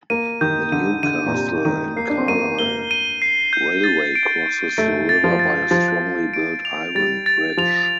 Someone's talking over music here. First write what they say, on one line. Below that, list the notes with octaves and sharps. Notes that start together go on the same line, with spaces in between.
The Newcastle and Carlisle Railway crosses the river by a strongly built iron bridge.
A#3 D#7
D#3 G6
D3 D#7
D3 D#7
A#2
C3 D#7
D#3 D#7
A#3 C7
D4
C4
A#3 D#7
A#3 G7
D#7
C7
G6
A6
D7
D7
A3 D7
A6
F3
A6
F3 A6
A6
D7
F7
G3 A6
A6
F3 F7